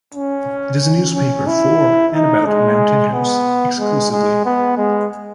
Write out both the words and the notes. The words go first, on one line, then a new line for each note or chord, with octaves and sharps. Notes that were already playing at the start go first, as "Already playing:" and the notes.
It is a newspaper for and about Mountain House exclusively.
C#4
C#4
E4
D#4
G#3
B3
G#3
G#3
B3
G#3